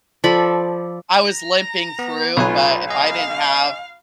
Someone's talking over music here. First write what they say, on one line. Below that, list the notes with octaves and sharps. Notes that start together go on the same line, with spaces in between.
I was limping through, but if I didn't have,
F3 A4 D5 B5
A#5
B3
B1 F4 B4 C#5 G#5
D#5 F5 G#5